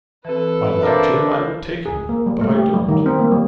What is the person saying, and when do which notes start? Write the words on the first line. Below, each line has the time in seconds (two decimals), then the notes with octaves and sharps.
If I liked him, I would take him, but I don't.
0.25 E3 C4 A4 B4
0.83 D4 A#4 C5 E5 F5
1.86 G#4
2.09 A#3
2.26 G3
2.41 A3
2.56 G4
2.74 G3
2.88 D#3
3.06 C4
3.19 A#3
3.31 G3